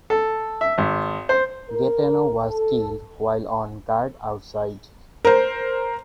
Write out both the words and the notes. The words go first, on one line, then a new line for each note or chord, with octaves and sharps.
Gaetano was killed while on guard outside.
A4
E5
G#1
C5
A#4
A4
A#4 C5